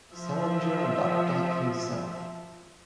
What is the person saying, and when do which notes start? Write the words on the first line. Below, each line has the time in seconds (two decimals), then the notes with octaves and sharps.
Salinger and Updike himself.
0.13 F3 E5